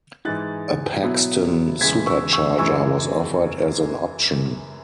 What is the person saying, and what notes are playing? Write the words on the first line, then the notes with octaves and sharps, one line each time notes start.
A Paxton supercharger was offered as an option.
G#2 E3 G#3 D#4 F#6 A6
B2 F#3 B3 E4
E2 C#3 E3 G#3 G#6 B6
C#6 E6
C#6 E6
F#2 E3 G#3 C#6 E6